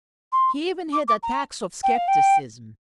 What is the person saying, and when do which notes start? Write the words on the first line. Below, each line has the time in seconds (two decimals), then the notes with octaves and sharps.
He even had attacks of scepticism.
0.32 C6
0.93 D6
1.08 D6
1.23 A#5
1.83 G5
1.96 F5
2.08 G5